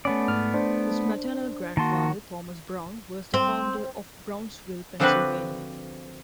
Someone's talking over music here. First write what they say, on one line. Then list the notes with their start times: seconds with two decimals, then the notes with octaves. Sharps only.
His maternal grandfather, Thomas Brown, was the founder of Brownsville, Pennsylvania.
0.05 A3 B3 C#4 D5
0.28 G#2 F6
0.54 D4 C5
1.77 D#3 A#3 F#4 A5 C6
3.34 C4
5.00 D3 F3 C4 D4 F#4 B4